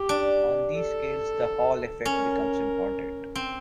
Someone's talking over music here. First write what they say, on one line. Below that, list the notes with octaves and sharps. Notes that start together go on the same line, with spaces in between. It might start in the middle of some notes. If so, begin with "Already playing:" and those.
On these scales the Hall effect becomes important.
Already playing: G4
D4
A4
C#4 A#4
C4